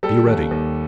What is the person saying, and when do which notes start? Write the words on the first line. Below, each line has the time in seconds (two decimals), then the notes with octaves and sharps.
Be ready.
0.03 G3 A4
0.27 D#2
0.51 D#2